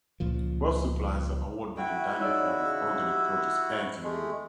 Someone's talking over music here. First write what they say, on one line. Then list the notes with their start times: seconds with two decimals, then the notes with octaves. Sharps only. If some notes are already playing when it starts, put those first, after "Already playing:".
Both supply the award-winning dining hall with organic produce, eggs, and meat.
0.20 C#2 A#2 F3
1.77 A3 E4 F#4 G5
2.20 D#4 G#4 C#5 D5 E6
2.59 C#3
3.02 G4
4.03 G#3 A3 G4